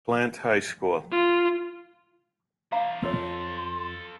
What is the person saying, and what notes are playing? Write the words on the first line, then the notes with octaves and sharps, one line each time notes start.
Plant High School.
F4
D4 C5 F5 A#5
F2 A4 A#4 C#5 F5 C6